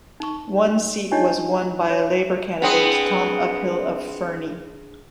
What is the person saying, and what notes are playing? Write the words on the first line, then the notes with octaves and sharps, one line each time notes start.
One seat was won by a Labour candidate, Tom Uphill of Fernie.
D#4 C#6
D4 D#4 F4 G4 C#5 D#5
C#5
B3 C4 D4 G#4